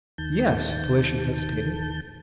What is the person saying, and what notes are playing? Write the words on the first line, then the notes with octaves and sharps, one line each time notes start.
"Yes." Felicia hesitated.
D#2 D#3 A5 G6